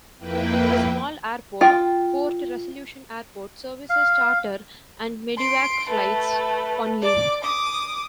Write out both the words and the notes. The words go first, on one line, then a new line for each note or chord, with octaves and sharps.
A small airport, Fort Resolution Airport, services charter and medivac flights only.
F2 A#3 E4 B4 G5
F4 G5
F5
C6 D7
A3 B4
D5 D6
D6 D#6